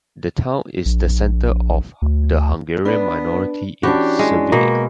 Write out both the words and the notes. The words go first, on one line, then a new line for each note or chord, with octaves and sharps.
The town is the centre of the Hungarian minority in Slovenia.
A#1
D2
B3 D4 B4
E3 C#4 D4 F#4 G4
G#3
B2 A#3